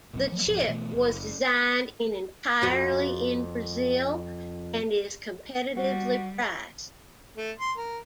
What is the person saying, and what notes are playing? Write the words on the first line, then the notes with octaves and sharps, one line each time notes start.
The chip was designed in entirely in Brazil and is competitively priced.
D#1 A#1 F#3 C4
F3 F#3 A3 A#3
B1 G#2 F3
B2 E3 A3
F#1
F2 F#4 C5
G3 F#4
A3
C6
A#4